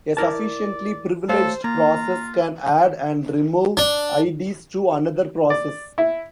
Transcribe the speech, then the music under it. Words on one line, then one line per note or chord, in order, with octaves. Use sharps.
A sufficiently privileged process can add and remove ids to another process.
E4 A#4 D5 A5
A3 A4 C5 C#5 F5
A#3 F4 A#5
D4
D5
E4